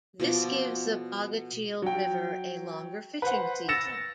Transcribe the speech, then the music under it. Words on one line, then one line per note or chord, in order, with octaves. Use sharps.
This gives the Bogachiel River a longer fishing season.
B2 F3 D5
F#3 G5
B4 C5 F#5
E6 A6 A#6 C#7 E7